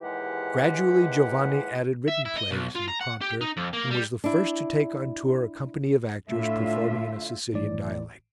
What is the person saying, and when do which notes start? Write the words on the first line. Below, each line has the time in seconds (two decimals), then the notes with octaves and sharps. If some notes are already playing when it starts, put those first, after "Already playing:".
Gradually Giovanni added written plays and a prompter, and was the first to take on tour a company of actors performing in a Sicilian dialect.
0.02 D#2 G#2 E3 G#3 G4 F#5
2.08 E5
2.25 E4
2.37 D#5
2.51 B1
2.75 F4
2.88 A#5
3.01 F#5
3.21 G4
3.41 D#4
3.57 F2
3.73 A#3
3.91 G3
4.24 D4 E4
6.28 A2 D3 F4 E5
7.52 G#1 A2 E3 D5